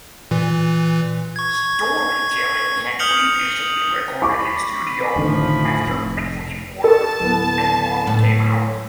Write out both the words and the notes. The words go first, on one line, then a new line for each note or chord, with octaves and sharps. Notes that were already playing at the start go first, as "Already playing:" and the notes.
"Storytelling" had previously been recorded in studio after Between Order And Model came out.
A#2 E3
C#6 G#6
D#6 F6 G6 C#7 F7 F#7
B5 C#6 D6
F1 A2 D3 D#3 F3
F1
A4 A5
D1 B3
A2